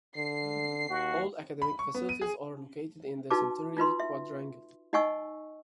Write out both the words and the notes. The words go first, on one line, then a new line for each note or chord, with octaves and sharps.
All academic facilities are located in the Centennial Quadrangle.
D3 C7
D#2 F#4
B5
C#6
B3
D#7
G#4
D#4 F#4 B4 A5 D6
D#4 F4 B4 C6
E5
D#4 D#5 F#5 G#5 C#6 E6